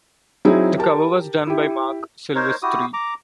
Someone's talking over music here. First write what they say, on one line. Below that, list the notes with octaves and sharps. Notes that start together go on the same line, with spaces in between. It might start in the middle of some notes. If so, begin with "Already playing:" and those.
The cover was done by Marc Silvestri.
F#3 C4 D#4 E4 G#4
G4 A#4 A5
E4 G4
D#4 A#4 C5 C#5
E4 F#4 G4 D#6
A#5 D6